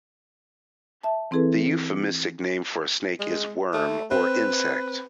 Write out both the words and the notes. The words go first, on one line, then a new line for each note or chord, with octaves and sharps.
"The euphemistic name for a snake is "worm" or "insect"."
E5 A5
E3 C4 E4 G#4 A4 B4
G#3
A3
C4 B4